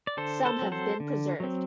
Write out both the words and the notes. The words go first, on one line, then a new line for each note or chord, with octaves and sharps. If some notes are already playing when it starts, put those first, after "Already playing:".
Some have been preserved.
D5
D3 A4 C5
A4 C5
F#3 C4
A4 C5
D3
F#3 C4